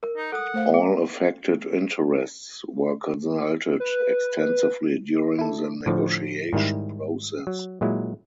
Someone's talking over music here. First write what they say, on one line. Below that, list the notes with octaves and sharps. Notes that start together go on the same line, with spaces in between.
All affected interests were consulted extensively during the negotiation process.
A#4
D#4
A4 F#5 D#6
A3 C5 F5
G#4
B4
E4 A4
A2 D3 F3
G#2 D#3 G3 E4
F#3
A#2 F#3 G#3 E4